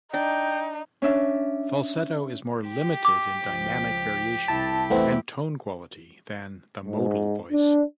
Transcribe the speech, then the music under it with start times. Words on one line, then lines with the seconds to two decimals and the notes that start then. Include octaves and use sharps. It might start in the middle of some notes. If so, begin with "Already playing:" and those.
Falsetto is more limited in dynamic variation and tone quality than the modal voice.
0.14 D4 D#4 G5
1.02 C#4 D4 D5 E5
2.68 G4
3.05 D6
3.43 C#2 F3
4.48 C2 E4 A5
4.90 E2 A3 B3 C4 E4
6.86 G#2
7.52 D4